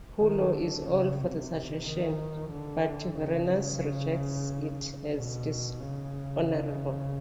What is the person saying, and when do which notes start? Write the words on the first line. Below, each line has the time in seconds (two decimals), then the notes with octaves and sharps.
Pullo is all for the suggestion, but Vorenus rejects it as dishonorable.
0.21 D#3
0.53 D3
0.85 C#3
1.19 C3
1.85 D#3
2.51 D3
3.17 C#3
5.14 B2
5.80 C#3